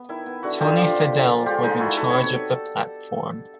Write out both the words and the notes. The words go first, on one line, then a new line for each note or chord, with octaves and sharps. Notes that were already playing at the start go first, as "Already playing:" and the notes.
Tony Fadell was in charge of the platform.
Already playing: B3
D#3 E4
B3
D3 E4 F#4
D3 F4 G4
F3 F4 G4
D3
D3
F3
G#3 F4 G4
G#3 D#4 F4
D#3 E4 F#4
D#3 A4 B4
C3 B4 C#5
B4 C#5